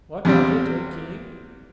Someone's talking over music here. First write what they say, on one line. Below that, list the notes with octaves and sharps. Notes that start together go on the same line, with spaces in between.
"What of it, O King?"
E2 C3 G3 C4